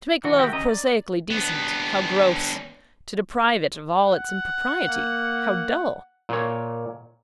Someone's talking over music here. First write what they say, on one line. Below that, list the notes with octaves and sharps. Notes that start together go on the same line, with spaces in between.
To make Love prosaically decent, how gross! to deprive it of all impropriety, how dull!
E3 F#4
D#3 F#4 G4 E5 G5
C#4 D#5 A#5 D#6
D5
B3 D4
F#5
A#3
A#2 C#5